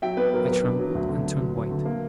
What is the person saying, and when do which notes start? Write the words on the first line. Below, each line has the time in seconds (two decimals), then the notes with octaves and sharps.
I trembled, and turned white.
0.02 F#3 E5 G5
0.17 B3 B4
0.34 F#3 A#4
0.48 F#3 B4
0.64 D4
0.79 F#3
0.95 D2
1.09 D3
1.25 D3
1.40 F#3
1.55 F#3
1.71 D3
1.85 A#3